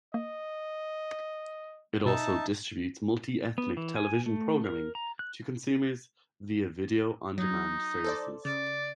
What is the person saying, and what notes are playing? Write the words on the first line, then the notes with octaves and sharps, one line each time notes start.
It also distributes multi-ethnic television programming to consumers via Video On Demand services.
A#3 D#5
B2 D#4 E5 A5
B3
E3
G#5
A3
A#4
A#5
F#6
F#3 D#4
A4 C5 D5
C#3 D5